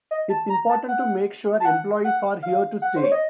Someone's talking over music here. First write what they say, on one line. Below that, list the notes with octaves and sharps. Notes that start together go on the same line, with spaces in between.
It's important to make sure employees are here to stay.
D#5
A5
A#5
A5
F#5
A5
F#5
F#5
F5
F#5
C5
C#5
D#5